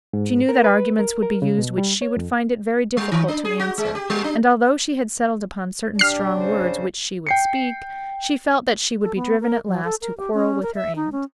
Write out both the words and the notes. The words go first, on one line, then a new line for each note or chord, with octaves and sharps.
She knew that arguments would be used which she would find it very difficult to answer; and, although she had settled upon certain strong words which she would speak, she felt that she would be driven at last to quarrel with her aunt.
G#2
A#4
B4
A#4
A#4
C#3
B2
G3
C#5
F2
G3
D#3
D4
G#4
F#4
G#3
G4
G3
D4
D4 G4 F6 C7
C#3 C5
G5 C7 C#7
A4
B3
A#4
F#3
A4
A#4
G4
C#4
A#4
E5
D#4
C#4